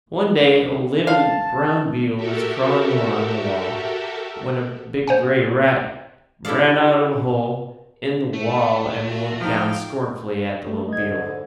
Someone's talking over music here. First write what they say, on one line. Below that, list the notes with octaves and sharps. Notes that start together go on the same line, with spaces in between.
One day a little brown beetle was crawling along a wall when a big grey rat ran out of a hole in the wall and looked down scornfully at the little beetle.
F5 A5
F#4 G4 A4 A#4 E5
C5 F#5 G#5
E4 G4 A4 D5 F5
A3
F4 F#4
F3 D#4 F5 G5
A3
G#2 D3 D#5 G#6